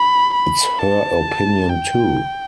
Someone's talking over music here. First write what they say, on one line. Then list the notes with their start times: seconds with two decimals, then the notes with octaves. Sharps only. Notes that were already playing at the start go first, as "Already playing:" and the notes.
It's her opinion too.
Already playing: B5
0.34 B5
0.79 A5
1.69 G5